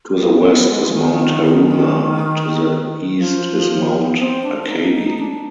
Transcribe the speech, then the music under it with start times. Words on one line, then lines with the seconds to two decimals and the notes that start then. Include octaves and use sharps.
To the west is Mount Haruna, and to the east is Mount Akagi.
0.19 B3
0.43 B3
0.69 G#3
0.88 F3
0.94 D#3
1.19 D#3
1.43 D#3
1.68 D#3
3.18 F3
4.19 C4
4.43 D4
4.63 D4
4.69 D#4
5.19 D4